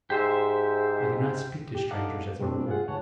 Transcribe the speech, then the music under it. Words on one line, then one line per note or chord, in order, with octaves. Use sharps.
I do not speak to strangers as a rule.
G#2 G4 C5 E5
G4
D#4 A4 D5 F5 F#5 D6
B2 G3 A3 C4 D4
F4 G#4 F#5
D2 G#2 C#5 F#5 A5